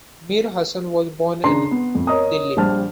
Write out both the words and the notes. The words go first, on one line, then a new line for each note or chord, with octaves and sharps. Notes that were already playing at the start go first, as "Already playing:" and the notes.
Mir Hasan was born in Delhi.
C#3 D4 A#5 C6 C7
B3
F2
A#4 C#5 D#5 A#5 D#6
A#1 G3 C5 A5 F6